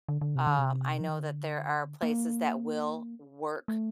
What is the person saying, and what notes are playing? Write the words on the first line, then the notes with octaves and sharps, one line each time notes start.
uh, I know that there are places that will work
D3
D3
C3
D3
C3
F3
D#3
D3
A#3
A3